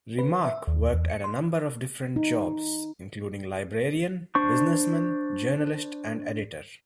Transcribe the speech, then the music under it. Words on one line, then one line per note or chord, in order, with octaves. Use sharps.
Remarque worked at a number of different jobs, including librarian, businessman, journalist, and editor.
B4
E5
D#2
E2
C#7
C6
D#4
D4 C5 C#6